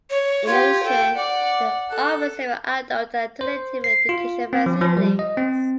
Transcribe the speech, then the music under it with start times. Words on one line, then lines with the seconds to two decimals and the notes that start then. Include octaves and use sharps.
In addition, they offer several adult and alternative education facilities.
0.10 C#5
0.47 F4 G4 G#6
0.84 A4 G5
1.17 D5 F#5 D6
1.90 A4 F#6
3.41 C5
3.84 C7
4.09 F4
4.53 C4
4.66 F3
4.81 F3
4.97 G3
5.19 D#5
5.37 C4